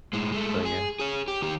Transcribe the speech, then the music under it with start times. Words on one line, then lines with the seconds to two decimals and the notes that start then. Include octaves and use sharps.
So, yeah.
0.13 A2 G#3
0.32 G#3 A3
0.65 G#4
1.00 G#4 C#5
1.28 G4
1.42 D#3 G4